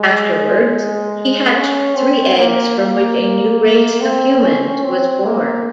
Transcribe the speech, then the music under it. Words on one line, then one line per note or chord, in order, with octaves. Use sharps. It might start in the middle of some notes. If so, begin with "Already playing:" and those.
Afterwards he hatched three eggs from which a new race of humans was born.
Already playing: G#3
C#4
C4
A#3
A#3
C4
C#4
C4
A#3